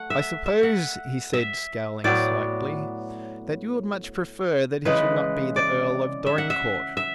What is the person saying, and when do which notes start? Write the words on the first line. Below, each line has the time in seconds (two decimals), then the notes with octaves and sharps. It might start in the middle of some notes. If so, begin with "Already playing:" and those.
"I suppose," he said, scowling slightly, "that you would much prefer that he should not be the Earl of Dorincourt."
Already playing: A3 F#5
0.10 E5
0.46 E5
0.63 F#5
1.33 E5
2.04 A2 F#3 B3 D5
4.85 C#3 E3 G#3 B4
5.56 D5
6.26 E5
6.38 F#5
6.50 E5
6.97 E5